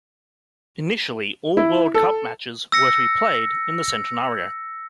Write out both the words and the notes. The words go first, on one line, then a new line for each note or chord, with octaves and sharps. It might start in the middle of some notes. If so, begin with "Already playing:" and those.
Initially, all World Cup matches were to be played in the Centenario.
E4
A4
E6 A#6 C#7